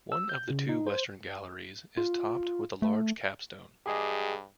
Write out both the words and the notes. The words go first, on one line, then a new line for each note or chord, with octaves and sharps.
One of the two western galleries is topped with a large capstone.
E6
G6
C#3
D#4
C5
F4
A3
G2 G4 G#4 D#5